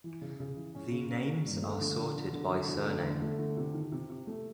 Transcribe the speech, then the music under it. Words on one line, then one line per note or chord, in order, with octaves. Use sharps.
The names are sorted by surname.
E3
C#3
C#3
E3
C#4
C#3
C#4
A#3
G2
A3
D3
D3
D3
D3
F#3
D3
A3
D3
A3
D3
C3
D#3
C3
C3
A3